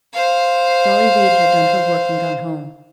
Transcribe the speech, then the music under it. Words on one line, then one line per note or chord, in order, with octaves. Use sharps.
Dolly Reid had done her work and gone home.
C5 F5